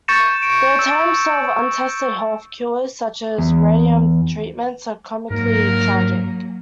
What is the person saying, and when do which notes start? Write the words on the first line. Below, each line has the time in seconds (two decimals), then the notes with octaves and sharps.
His attempts at untested health cures, such as radium treatments, are comically tragic.
0.08 C#6 G6 A6 A#6 C#7 E7
0.43 D7
0.78 E6 D7
3.38 E2
5.30 G#2 F#3 A#3 A#4